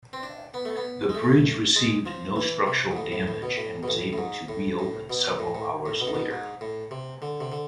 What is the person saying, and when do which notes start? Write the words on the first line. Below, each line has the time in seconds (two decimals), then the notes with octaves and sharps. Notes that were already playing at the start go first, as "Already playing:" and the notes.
The bridge received no structural damage and was able to reopen several hours later.
0.13 C4
0.23 D4
0.54 B3
0.65 A3
0.77 B3
1.09 G#3
1.15 A3
1.76 G#3
2.06 F3
2.36 E3
2.67 C3
2.91 G#2
2.97 A2
3.12 A2
3.28 A2
3.42 B2
3.57 A2
3.83 B2
3.88 A2
4.13 A2
4.18 G#2
4.49 A2
4.79 A2
5.10 B2
5.39 A2
5.55 A2
5.86 A2
6.00 B2
6.07 A2
6.15 B2
6.31 G#2
6.61 A2
6.91 C3
7.22 D3
7.41 C3
7.52 D3